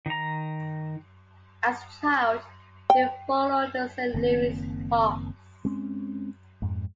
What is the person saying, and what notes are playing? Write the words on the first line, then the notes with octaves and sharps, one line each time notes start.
As a child, he followed the Saint Louis Hawks.
D#3 A#5
G5
F#1 D#3 A#3 C4
G#3 C4 C#4
F2 G#2